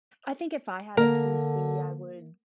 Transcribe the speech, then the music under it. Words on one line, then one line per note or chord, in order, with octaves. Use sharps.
I think if I had a PC, I would
D3 A#3 A#4